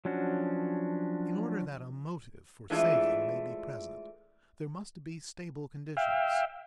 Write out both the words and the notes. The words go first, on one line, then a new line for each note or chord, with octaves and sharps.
In order that a motive for saving may be present, there must be stable conditions.
F3 F#3 C#4 D4 F#4
E3 G#3 A3 D4 E4 F4
E5 F5 G5